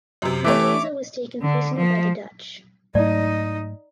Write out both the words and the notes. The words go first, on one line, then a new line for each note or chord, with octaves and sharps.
Mendoza was taken prisoner by the Dutch.
F#2 C3
E3 A3 G4 C#5 E5 D6
D3
F3
G#2 F#3 A3 D#4 D5 D#5